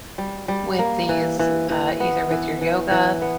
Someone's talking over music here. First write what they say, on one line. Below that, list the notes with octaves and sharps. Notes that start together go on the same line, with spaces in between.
with these uh, either with your yoga
G3
G3
A#3
E3
E3
E3
B3
E3
E3
E3
B3